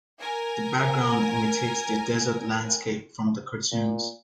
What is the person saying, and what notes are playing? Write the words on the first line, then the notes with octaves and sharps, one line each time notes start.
The background imitates the desert landscape from the cartoons.
A#4 G#5
A#2